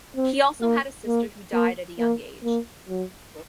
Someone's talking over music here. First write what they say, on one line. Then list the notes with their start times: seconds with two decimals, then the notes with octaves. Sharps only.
He also had a sister who died at a young age.
0.16 C4
0.62 A#3
1.07 A#3
1.53 A#3
1.99 A#3
2.44 A#3
2.89 F#3